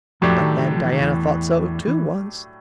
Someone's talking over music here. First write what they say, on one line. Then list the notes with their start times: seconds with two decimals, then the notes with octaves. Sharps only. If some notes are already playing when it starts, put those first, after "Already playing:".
But then Diana thought so too, once.
0.21 F2 A2 F3 F#3 A3 D4 G4
0.40 D#3
0.59 D#3
0.77 F3
0.85 E3
0.92 D#3
1.00 E2 E3
1.87 E3